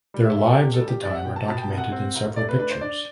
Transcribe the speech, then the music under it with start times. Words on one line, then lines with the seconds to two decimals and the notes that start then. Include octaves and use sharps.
Their lives at the time are documented in several pictures.
0.14 G3
0.25 E5
0.36 E1 E5
0.48 A4
0.58 E2 G4
0.74 A4
0.81 G3
0.88 G4
1.03 G3 D5
1.10 E5
1.15 F#5
1.25 B2 G5
1.36 A5
1.48 B2 A5
1.58 G5
1.63 A5
1.70 C2
1.78 F#5
1.92 C4
2.15 C2
2.36 A3 D5
2.49 B4
2.59 D4 B4
2.71 C5
2.81 D4 D5